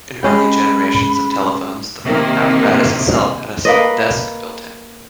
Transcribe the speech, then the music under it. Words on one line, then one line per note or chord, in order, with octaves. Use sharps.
In early generations of telephones the phone apparatus itself had a small desk built-in.
G#3 C#4 G5 B5
C3 D#3 A#3
A#3 B4 D#5